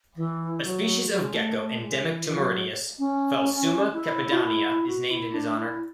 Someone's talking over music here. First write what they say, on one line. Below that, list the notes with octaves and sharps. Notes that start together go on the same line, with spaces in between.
A species of gecko endemic to Mauritius, "Phelsuma cepediana", is named in his honour.
E3
F#3
F#3
G#3
A3
A3
G#3
E3
E3
F#3
C#4
E4
F#4
E4
F#4
E4
D4
E4